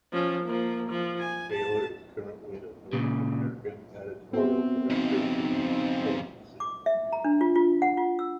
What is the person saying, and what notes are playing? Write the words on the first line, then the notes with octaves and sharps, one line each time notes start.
Taylor is currently the North American Editorial Director for Econsultancy.
F3 C#4
F3 A#3
F3
G#5
A5
A#2 C#3
B3 C4 F#4 E5
F2 C#3 D#4
D6
E5
A#5
D4
F4
F4
F#5
F4
E6